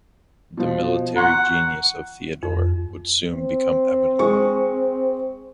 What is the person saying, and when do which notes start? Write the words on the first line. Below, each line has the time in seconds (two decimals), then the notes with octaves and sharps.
The military genius of Theodore would soon become evident.
0.57 B2 F3
1.16 F#5 A#5 C6 C#6
2.43 F2
3.32 C4
4.19 G#3 C#6